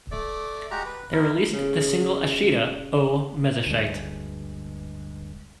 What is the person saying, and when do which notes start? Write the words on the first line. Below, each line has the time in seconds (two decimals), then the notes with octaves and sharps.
They released the single Ashita o Mezashite!
0.11 A3 D5
0.71 G#3 F#4 G4 A#5
0.86 B4
1.13 E4 A#4
1.53 C#3
3.67 D2 G2 G#3